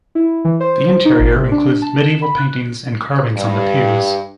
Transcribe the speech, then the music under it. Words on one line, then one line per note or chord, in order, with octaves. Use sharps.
The interior includes medieval paintings and carvings on the pews.
E4
E3
C5
D#4
G#1
C3
D4
A5
E7
B5
F#6
G2